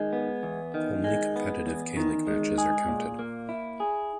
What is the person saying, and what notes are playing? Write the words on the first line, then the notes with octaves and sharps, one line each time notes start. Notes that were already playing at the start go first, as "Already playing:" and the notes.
Only competitive K-League matches are counted.
Already playing: D#3 G#3
B3
E2
D#3
G#3
B3
E2
D#3
G#3
G#4
A#2
A#3
E4
G#4